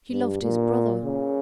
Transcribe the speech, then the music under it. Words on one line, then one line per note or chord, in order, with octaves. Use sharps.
She loved his brother.
G2
A#2
C#3